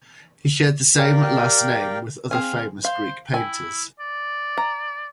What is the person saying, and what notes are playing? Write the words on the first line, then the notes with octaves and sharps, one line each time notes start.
He shared the same last name with other famous Greek painters.
G4 A#4 D5 F5 G5
C4 G#4 F5 G#5
C5 F5
E4 G5 G#5
D5
A#5